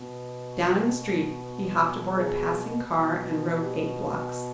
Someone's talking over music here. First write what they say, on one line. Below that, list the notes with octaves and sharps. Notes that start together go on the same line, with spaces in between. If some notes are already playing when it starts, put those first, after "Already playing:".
Down in the street he hopped aboard a passing car and rode eight blocks.
Already playing: B2
G#4
B2
G4
G#4